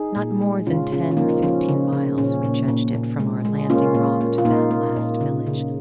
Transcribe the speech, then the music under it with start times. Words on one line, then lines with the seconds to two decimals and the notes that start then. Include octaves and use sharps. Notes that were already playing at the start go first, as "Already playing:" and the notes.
Not more than ten or fifteen miles we judged it from our landing rock to that last village.
Already playing: D#4 G#4
0.16 A#2
0.42 G#3
0.66 C#3 C#4 F4
0.92 C#3 C#4 F4
1.11 F4
1.17 F3 A#3 D#4
1.43 F3 C#4
1.68 C#3
1.93 C#3
2.18 A#2 C#4
2.44 A#2
2.68 A#2
2.94 A#2
3.20 G#3
3.45 G#3
3.70 A#3 C#4 F4
3.94 A#2
4.21 A#3
4.38 F4
4.45 A#2 A#3 D#4
4.71 A#3
4.96 A#2
5.21 C#3
5.47 C#3